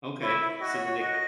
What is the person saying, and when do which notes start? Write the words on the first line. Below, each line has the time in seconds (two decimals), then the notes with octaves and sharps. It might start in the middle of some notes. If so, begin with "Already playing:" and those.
Okay. So, do they ki
0.21 E4 C#5
0.42 E5
0.61 F#4 D#5
0.74 C#5
0.86 C#5
1.00 D#5